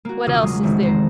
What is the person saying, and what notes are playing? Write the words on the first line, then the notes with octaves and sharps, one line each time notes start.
"What else is there?"
A#3 F#4
E1 C#3 C#4 D4 F4 D#6
F#3 G#3
F1 E2 C3 D#3
C5 A#5